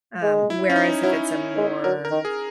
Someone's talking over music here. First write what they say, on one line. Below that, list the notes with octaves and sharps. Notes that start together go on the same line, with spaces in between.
um, whereas if it's a more,
G#3
E4
C#4
D#4
F#3 E4
G#3
F#3 A#4
A#4
D#3
G#4